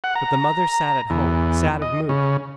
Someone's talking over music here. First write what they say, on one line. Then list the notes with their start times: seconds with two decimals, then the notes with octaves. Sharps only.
But the mother sat at home, sad of mood.
0.04 F#5
0.15 A#5
1.10 E2
1.82 D#5
2.09 C#3